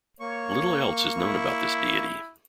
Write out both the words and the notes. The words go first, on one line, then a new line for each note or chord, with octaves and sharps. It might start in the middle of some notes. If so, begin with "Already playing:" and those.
Little else is known about this deity.
A#3 C#5 C#6
E4